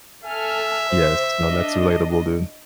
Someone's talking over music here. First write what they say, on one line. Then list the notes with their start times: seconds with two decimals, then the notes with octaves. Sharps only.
yes, no, that's relatable, dude.
0.24 A4 E5 G#5 F6
0.87 C5
1.43 D4 D#5